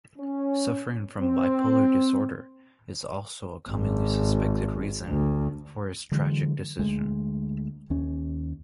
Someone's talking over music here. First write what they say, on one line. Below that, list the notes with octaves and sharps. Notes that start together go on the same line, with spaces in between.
Suffering from bipolar disorder is also a commonly suspected reason for his tragic decision.
C#4
C4
G#1
D2
D3 E3 F#3 G#3
D2 G#3
D#2 C#4